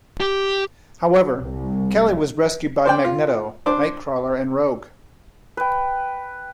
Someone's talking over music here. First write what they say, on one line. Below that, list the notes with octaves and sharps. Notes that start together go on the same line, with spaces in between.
However, Kelly was rescued by Magneto, Nightcrawler and Rogue.
G4
C2
C5 D5 G5
F4
D4 C5 D6
B4 G5